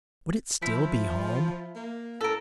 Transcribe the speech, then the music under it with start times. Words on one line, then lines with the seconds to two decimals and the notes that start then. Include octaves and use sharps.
Would it still be home?
0.62 F3 E4
1.76 A#3
2.21 A2 A4 A#4